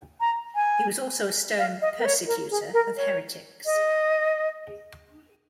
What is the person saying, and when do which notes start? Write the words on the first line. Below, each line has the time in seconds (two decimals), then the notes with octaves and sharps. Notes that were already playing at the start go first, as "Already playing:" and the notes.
He was also a stern persecutor of heretics.
0.20 A#5
0.55 G#5
1.58 F5
1.81 D#5
1.99 A#4
2.05 C#5
2.27 A#4
2.50 G#4
2.73 A#4
2.96 C#5
3.65 D#5